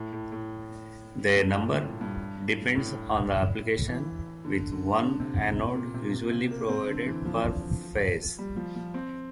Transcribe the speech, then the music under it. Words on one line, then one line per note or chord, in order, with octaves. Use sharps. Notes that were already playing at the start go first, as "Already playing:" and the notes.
Their number depends on the application, with one anode usually provided per phase.
Already playing: A2
A2
A2
G2
A2
A#2
A2
G2
A2
E3
D3
D3
D3
C3
D3
C3
A#2
C3
C3
C3
A#3
C4
D3
E3
F3
G3
F3
F3
C4